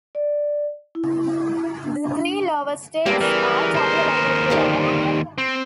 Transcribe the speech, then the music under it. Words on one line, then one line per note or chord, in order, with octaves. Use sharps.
The three lowest states are tabulated below.
D5
E4
D4
E2 G3 G#3 A#3 C4 D4 G4
C#3 E3 B3 A#4
D#2 C5
F2 D#3 G3
C4